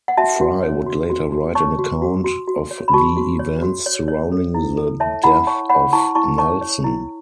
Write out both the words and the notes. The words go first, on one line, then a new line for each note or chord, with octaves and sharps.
Fry would later write an account of the events surrounding the death of Nelson.
F#5
F#4 E5 A5
F#4
C#5
F#4
F#4
F#4
C#5 A5 C#6
F#4
F#4
F#4
F#4
C#5
B5
F#4 A5 C#6
F#4
C#5
F#4
C#5
C#5
A4
E4
A4
C#5 E5 A5
E4 F#5 B5
C#5 A5 C#6
C#5 F#5 B5
E4 A5 C#6
E4 A5 C#6
C#5 A5 C#6
C#5
E4